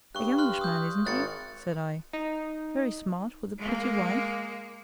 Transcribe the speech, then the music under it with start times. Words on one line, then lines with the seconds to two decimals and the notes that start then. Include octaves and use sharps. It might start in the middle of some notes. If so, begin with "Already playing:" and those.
'A youngish man, isn't he?' said I, 'very smart, with a pretty wife?'
0.15 G2 C#6 F#6
0.38 C6 F6 F#6
0.61 D#6 G6
1.05 G#1 F#6 A6 C#7
2.13 D#4
3.58 G#3 A#3